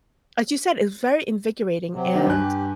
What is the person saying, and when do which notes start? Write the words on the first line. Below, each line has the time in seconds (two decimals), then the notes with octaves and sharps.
as you said, it's very invigorating, and, uh,
1.93 C3 F#3
2.13 D#3 C4 D4
2.27 G2 G#5 F#6
2.39 G4